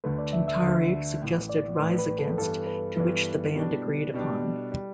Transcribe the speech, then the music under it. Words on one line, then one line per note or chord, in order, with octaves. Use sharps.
Tintari suggested Rise Against, to which the band agreed upon.
D2 D3 A3 B4
D5
E5
E5
D2 D3 A3
A1 A2 E3
D5
A1 A2 E3 B4
B4
A4
G2 E3 B3 A4
B4
G2 E3 B3 E4
B2 G3 D4
B2 G3 D4
G3